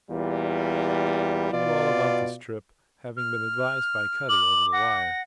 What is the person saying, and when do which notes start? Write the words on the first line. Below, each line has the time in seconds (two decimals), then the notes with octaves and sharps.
He knew all about this trip, having been advised by Cutty over the wire.
0.11 E2 A#2 G3
1.52 B2 F4 D5
3.17 F6
4.29 D6 F#7
4.73 F#5 A#6